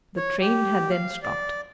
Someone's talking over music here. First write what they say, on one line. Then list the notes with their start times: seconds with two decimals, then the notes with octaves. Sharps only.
The train had then stopped.
0.17 C#5
0.41 G4
0.91 F5
1.23 D5